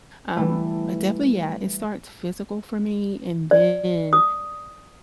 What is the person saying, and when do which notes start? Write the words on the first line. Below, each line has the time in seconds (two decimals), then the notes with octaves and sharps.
Um, but definitely, yeah, it starts physical for me, and then
0.36 E3 G3 A3
3.51 D5
4.13 D#6